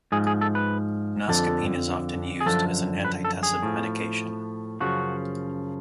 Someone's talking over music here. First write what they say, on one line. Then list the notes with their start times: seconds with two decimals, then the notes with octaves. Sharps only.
Noscapine is often used as an antitussive medication.
0.12 G#2 F3 G#4
0.27 G#4
0.41 A4
0.55 B4
1.29 F2 D3 F3 A4
2.41 G#4
2.46 F#2 D3 F3 A4
3.05 B4
3.25 A4
3.43 G#4
3.63 A2 F3
4.80 F#2 C#3 F3 F#4